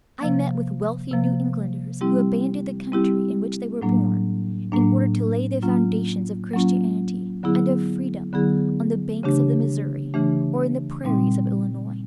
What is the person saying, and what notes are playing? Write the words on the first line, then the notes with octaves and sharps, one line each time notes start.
I met with wealthy New Englanders who abandoned the country in which they were born in order to lay the foundations of Christianity and of freedom on the banks of the Missouri, or in the prairies of Illinois.
C3 F3 A#3
C3 F3 A#3
G3 C4 E4 G4
G3 C4 E4 G4
A2 F#3 A#3 D4
A2 F#3 A#3 D4
F#3 A#3 C#4 F4
F#3 A#3 C#4 F4
D3 F#3 B3 E4 G#4
D3 F#3 B3 E4 G#4
C#3 E3 A3 D4 G4
C#3 E3 A3 D4 G4
A#2 G3 C4 D#4